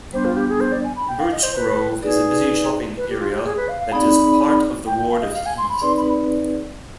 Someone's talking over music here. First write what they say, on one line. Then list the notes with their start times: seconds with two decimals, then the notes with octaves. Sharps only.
Birchgrove is a busy shopping area that is part of the ward of Heath.
0.13 G3 B3 D4 C5
0.25 F4
0.37 G4
0.49 G#4
0.61 C5
0.72 D5
0.84 G#5
0.96 B5
1.08 G5
1.20 F5
1.32 D#5
1.43 C5
1.55 B4
2.03 D#4 G#4 B4 D5
2.97 B4
3.09 G4
3.21 F4
3.33 G4
3.45 G#4
3.57 B4
3.68 F5
3.80 F5
3.92 C4 D#4 G#4 D5 B5
4.87 G5
4.99 G5
5.11 F5
5.22 D#5
5.34 F5
5.46 G#5
5.58 C6
5.70 B5
5.81 C4 D#4 G#4 B4 D5 C6
5.97 B5